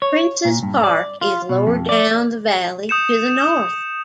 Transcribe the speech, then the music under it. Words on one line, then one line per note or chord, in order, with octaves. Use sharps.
Princes Park is lower down the valley to the north.
C#5
A#2
G2
D5
F4
B2
F2
D5
D#6 G6 C#7 E7